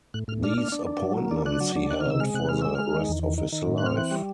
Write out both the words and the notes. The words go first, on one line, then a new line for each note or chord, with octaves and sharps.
These appointments he held for the rest of his life.
A2 F#6
A2 F6
D4 F6
D4
D4
D4
F#3
A#3
D4
D4 F#6
F#3
D4
D#3 F#6
F6
C3 E6
G#3 F6
C3 F#6
G#3 F6
G#3 E6
G#3 F6
D#3
E2
D#3
D#3
D#3
A2
F#6
C4 F6
E3 F#6
G3